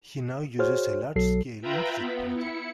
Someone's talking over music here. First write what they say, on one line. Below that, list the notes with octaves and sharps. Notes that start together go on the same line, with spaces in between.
He now uses a large-scale inkjet printer.
F#4 G#4 C5 C#5 F6
B1 F#3 A4 C7
F4 B4 E5 G5 A#5 B5
B3
E4 C#7